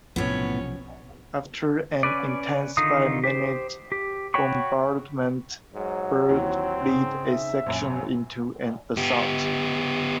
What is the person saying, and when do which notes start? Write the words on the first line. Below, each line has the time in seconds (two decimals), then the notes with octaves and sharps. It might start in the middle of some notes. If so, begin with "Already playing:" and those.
After an intense five-minute bombardment, Brunt led a section into an assault.
0.16 B1 A2 C3 F3 B3 C#4 C#5
2.03 C#4 B4 D5
2.77 D3 D#3 D#4 F4 D#6
3.24 G4 C5
3.92 G4
4.34 F#4 C#5 G5 B5 C#6
5.74 G#2 F#3
6.29 D#2 E3 C4
6.84 G#2 C#3
7.27 E5
7.66 A#1 F#2
8.97 B3 G4